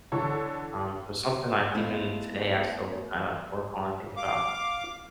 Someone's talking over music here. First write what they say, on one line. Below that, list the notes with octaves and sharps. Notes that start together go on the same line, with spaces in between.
um, so, something like, even today I still kinda work on and think about.
D3 E3 A4 C#5
G#3 A3 B3 E4 C5 F5
F5 D6